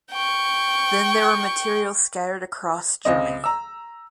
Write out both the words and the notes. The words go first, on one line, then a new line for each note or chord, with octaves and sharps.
Then there were materials scattered across Germany.
G5 C#6
C#2 C4 D#5
A#5 E6